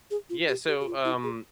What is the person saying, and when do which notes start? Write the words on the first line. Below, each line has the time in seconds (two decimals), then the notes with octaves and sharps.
Yeah, so, um,
0.11 G#4
0.30 F4
0.49 G4
0.67 G4
0.80 G4
0.86 F4
1.05 E4
1.23 G#4